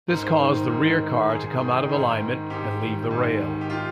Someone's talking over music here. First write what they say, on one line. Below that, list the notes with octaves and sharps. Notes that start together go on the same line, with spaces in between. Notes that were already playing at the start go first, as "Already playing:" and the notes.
This caused the rear car to come out of alignment and leave the rail.
G#2 A#4
C5
D#3 C5
A#4
G#2
D#3
G#2 G#4
D#3
G#2
D#3
G#2 G4
D#3
G#2
D#3
G4
F4